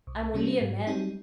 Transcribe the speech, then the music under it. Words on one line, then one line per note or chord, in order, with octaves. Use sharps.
I'm only a man.'
C2
C3 G3 A#3 C#4
G#2
G3 C4 D#4